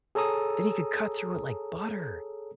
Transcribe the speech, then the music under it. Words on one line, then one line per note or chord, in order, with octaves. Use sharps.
Then he could cut through it like butter.
G#4 A4 C#5 A#5 D#6 E6